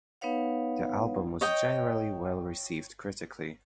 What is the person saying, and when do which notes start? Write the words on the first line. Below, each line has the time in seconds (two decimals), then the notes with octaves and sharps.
The album was generally well-received critically.
0.21 B3 D#4 B4 C#5 F5 F#5
1.41 C#5 D#5 G5